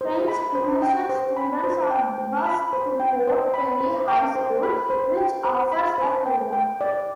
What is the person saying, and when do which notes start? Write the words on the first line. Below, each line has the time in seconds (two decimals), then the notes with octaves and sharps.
French Immersion students are bused to Port Perry High School, which offers the program.
0.01 C5
0.28 B5
0.55 C5
0.82 G5
1.09 C5
1.37 B5
1.64 C5
1.90 G5
2.18 C5
2.46 B5
2.73 C5
3.00 G5
3.27 C5
3.54 B5
3.81 C5
4.08 G5
4.35 C5
4.63 B5
4.90 C5
5.17 G5
5.45 C5
5.71 B5
5.98 C5
6.26 G5
6.53 G5
6.81 D5